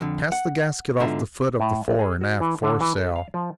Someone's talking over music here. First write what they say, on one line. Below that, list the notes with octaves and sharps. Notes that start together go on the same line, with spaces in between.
"Cast the gasket off the foot of the fore and aft foresail."
F2 D3
F#5
G#2 B2 D3 F4 E5 A#5
A2
A#1
G#4
F#4
E3
D3
E3
A4
F5
F3